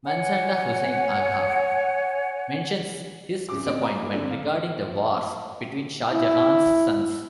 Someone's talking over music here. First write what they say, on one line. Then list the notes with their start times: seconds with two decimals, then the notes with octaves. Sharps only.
Manzada Husain Agha mentions his disappointment regarding the wars between Shah Jahan's sons.
0.05 C#5 F#5 G#5
3.49 C2 C#3 D6
3.66 A1 C4 D#5 D7
3.84 A#5
4.01 A2 G#3 A#3
4.13 D3 C4 D5
4.31 F5
6.10 E4